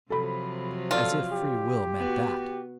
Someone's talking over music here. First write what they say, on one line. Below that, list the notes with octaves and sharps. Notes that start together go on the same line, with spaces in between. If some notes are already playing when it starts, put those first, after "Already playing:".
As if free will meant that!
C3 F3 F#3 A4 B5
F4 A4 D5
G4
B3 F#4